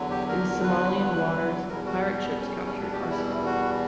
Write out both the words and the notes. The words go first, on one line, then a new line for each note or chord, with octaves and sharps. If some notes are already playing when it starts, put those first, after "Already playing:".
In Somalian waters, pirate ships captured are scuttled.
Already playing: E2 D3 F#3
G4
A#4
B4
B4
E2 B2 G3 A#4
F#4
B3
C#4
C#4
D4
G4
F#4
E4
F#4